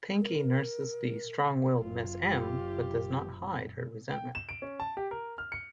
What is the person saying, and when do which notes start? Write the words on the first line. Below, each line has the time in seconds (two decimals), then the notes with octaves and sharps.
Pinky nurses the strong-willed Miss Em, but does not hide her resentment.
0.20 A#4
1.79 F#1 F4
2.24 G4
4.11 G5
4.35 E7
4.49 D7
4.62 C#4
4.80 A5
4.97 G4
5.11 A#4
5.38 F6
5.52 C#7